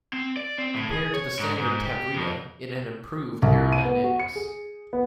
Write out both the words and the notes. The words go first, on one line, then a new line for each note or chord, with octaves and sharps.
Compared to the standard "Tavria" it had improved aerodynamics.
C4
D5
C4
A2
G#4
C#5
G#2
G#2
G4
F2
C2
D#7
B3
F#4
C#7
G#4
B3